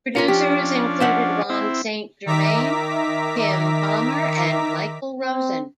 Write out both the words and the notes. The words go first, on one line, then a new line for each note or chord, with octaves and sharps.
Producers included Ron Saint Germain, Tim Palmer, and Michael Rosen.
A#3 F4 A#4
F3 C#4 D4 G4
C5 E5 F#5
C4 E4
D#3 E5 A#5 D6 B6
C4